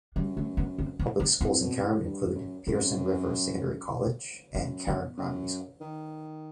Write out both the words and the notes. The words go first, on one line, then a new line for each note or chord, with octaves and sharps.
Public schools in Carrum include Patterson River Secondary College and Carrum Primary School.
F#2 G3
A3
B3
C4
B3
B3
A2 C4
B2
A2
G2
F#2
F#2 C4
F#2 B3
B3
F#2
D#3